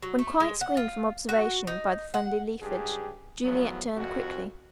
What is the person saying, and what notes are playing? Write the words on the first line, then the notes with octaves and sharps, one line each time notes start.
When quite screened from observation by the friendly leafage, Juliet turned quickly.
F#3
A3
G#3
F#5
F4
F#4
D#4
F#5
C#2 G2 G4 G#4
B1 E2 A2 F3 F#3 B3
C2 F2 F#4